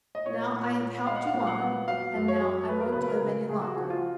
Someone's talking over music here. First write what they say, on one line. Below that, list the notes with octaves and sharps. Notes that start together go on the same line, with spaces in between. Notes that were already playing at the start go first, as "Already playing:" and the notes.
'Now I have helped you on, and now I won't live any longer.
D#5
A#2 C#5
A#2
A#2
G#3 F5
F#5
F5
A#2
F5
F#5
B3
F#3 F5
F#2
C#5
F#3
F#3 B4
A#4
B4
C#3
B4
A#4
C#3
C#3 G#4
F#4
F3 G#4
F#4
F4